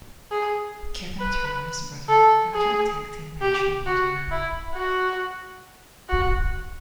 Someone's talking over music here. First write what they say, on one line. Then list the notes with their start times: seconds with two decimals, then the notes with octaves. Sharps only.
Kevin turned on his brother after a tag-team match and beat him up.
0.31 G#4
1.20 B4
2.09 A4
2.54 G#4
3.41 G4
3.86 F#4
4.31 E4
4.75 F#4
6.09 F#4